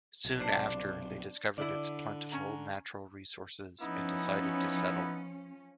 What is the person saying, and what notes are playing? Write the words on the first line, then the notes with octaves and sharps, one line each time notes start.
Soon after, they discovered its plentiful natural resources and decided to settle.
B1
B1 C3 D4 C5
D3 E4 D5
C#4 A#5
F3 B3 C#4 D#4 E4